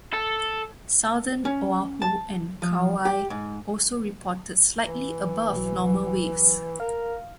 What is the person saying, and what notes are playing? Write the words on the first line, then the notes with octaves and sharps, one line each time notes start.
Southern Oahu and Kauai also reported slightly above normal waves.
A4
C#4
A5
F3
G4
G#2
E3
B1 F#3
A#4 F5